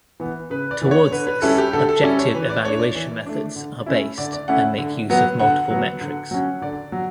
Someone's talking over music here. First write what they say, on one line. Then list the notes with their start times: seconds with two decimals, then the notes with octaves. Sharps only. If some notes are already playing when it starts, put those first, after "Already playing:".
Towards this, objective evaluation methods are based and make use of multiple metrics.
0.20 E3 B3
0.50 C#3 B4
0.71 D5
0.81 E3 B3
0.91 C#5
1.12 D3 B4
1.27 B4
1.42 G3 C#4 E4 A4
1.58 G4
1.73 D3 A4
1.89 A4
2.03 G3 C#4 E4 D5
2.19 C#5
2.34 E3 B4
2.50 D5
2.65 A3 D4 C#5
2.79 D5
2.95 E3
3.26 A3 D4
3.56 D3
3.86 A3 C#4 E4
4.18 D3 D5
4.33 D5
4.48 A3 C#4 E4 F#5
4.78 D3
5.10 F#3 B3
5.40 D3 F#5
5.70 F#3 B3
6.01 D3
6.31 F#3 C#4
6.61 D3 D5
6.92 F#3